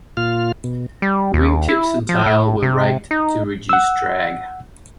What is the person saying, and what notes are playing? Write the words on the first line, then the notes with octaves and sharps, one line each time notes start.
The wingtips and tail were raked to reduce drag.
A#2 F4 F6
B2
G3
D#2
E4
F3
A2
C3
D#4
F#5 E6